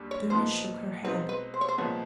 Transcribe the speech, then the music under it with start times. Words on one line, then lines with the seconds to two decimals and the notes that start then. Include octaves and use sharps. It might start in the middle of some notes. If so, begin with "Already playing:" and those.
Dounia shook her head.
Already playing: D#2 D3 G3
0.11 C#5
0.30 A#2 F3 G#3 B3 D#4 C5
1.04 B2 G#3 C4 D#4 B4
1.29 B4
1.54 C5
1.61 C#5
1.68 C5
1.78 C2 A#2 F3 G#3 B3 C#5